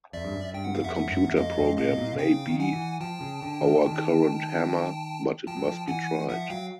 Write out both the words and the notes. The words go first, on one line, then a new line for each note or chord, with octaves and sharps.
The computer program may be our current hammer, but it must be tried.
F2 D5 E5
G2
F#2
G2 G5
F#5
F5
F2 E5 F#5
E5 F#5
F#2
E2
F2 D#5 F5
F2
A2 D#5 F5
B2
A#2
C3
C#3 F5 G5
D#3
F#5 G#5
E3
F3 G5 A5
C#3
D3
D#3
D3
D#3
F3 G5 A5
F#3
F3
E3 F#5 G#5
F3 E5 F#5
F#3 F5 G5